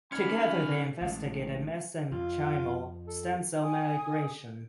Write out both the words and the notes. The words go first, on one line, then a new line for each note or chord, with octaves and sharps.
Together they investigated mesenchymal stem cell migration.
C#4 D#4 G#5 A#5 B5 F6 G#6 C#7
A1 G#3
F2 F4
A4
G#5 D#6